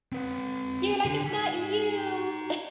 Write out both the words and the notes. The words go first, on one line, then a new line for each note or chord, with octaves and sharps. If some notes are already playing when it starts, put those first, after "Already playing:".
you're like, "It's not you."
C4 B4
D3
D#4 G#5